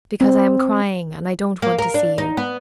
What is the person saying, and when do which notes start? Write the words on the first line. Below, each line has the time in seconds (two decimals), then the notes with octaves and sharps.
"Because I am crying, and I don't want to see you."
0.21 C4
1.62 A#3
1.78 A#4
1.94 D4
2.18 D#4
2.37 B3